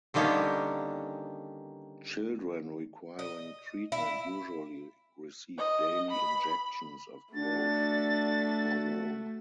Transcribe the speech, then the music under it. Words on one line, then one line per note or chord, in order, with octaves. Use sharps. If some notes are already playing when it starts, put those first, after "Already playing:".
Children requiring treatment usually receive daily injections of growth hormone.
D3 D#3 G3 A#3 B3 C#4
D#5
E4
D#5
B5
A3 D4 F#4 A6